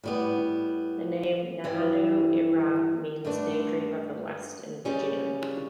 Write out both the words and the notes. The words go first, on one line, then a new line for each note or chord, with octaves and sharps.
The name "Nananu-I-Ra" means "Daydream of the West" in Fijian.
A2 G3 B3
G2 E3 G3
G2 D3 A3 D4
C#3 G3 C#4